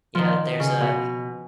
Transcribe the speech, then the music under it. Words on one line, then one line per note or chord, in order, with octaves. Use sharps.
you know, there's a
D#3 F3
C#3
B2